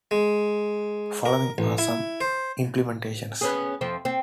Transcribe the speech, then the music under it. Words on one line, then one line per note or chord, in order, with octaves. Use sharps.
Following are some implementations.
G#3
A#4
A1
E4
C5
B3 C#4 G#4
F2 F3 C4
C4